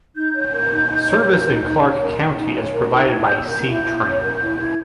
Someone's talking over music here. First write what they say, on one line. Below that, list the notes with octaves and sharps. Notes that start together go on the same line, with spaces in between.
Service in Clark County is provided by C-Tran.
D#4 G6
C#5
A#4
D#4
D#4
C#5
A#4
D#4
D#4
C#5
A#4
D#4
D#4
C#5
A#4
D#4
E4 G#6
C#5 G6
E6
A#4 G6
E4
E4
C#5
A#4
E4
E4 G#6